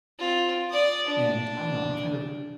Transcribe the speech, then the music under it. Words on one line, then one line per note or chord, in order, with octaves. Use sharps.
and I don't know, I kind of
C4 F4
D5 D#6
D4